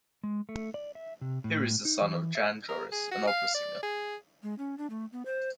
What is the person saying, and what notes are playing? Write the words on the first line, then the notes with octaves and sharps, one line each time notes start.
He is the son of Jan Joris, an opera singer.
G#3
A3
D5
E5
C3
A2
D#4
E3
E5
A#4
G#4
F#4
F5
D5
G#4
G#3
C#4
D4
A3
B3
C5